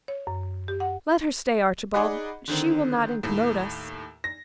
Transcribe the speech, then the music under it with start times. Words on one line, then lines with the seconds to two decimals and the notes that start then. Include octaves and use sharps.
"Let her stay, Archibald; she will not incommode us."
0.08 C#5
0.27 F#2
0.68 G4
0.80 F#5
1.94 D#4 G#4 D5 D#5 F#5 B5
2.48 D3 D#3 C4
3.23 D#2 A2
4.24 A#6